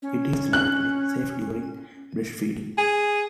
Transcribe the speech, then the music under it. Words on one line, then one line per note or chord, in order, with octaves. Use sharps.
It is likely safe during breastfeeding.
C#4
F#6
G#4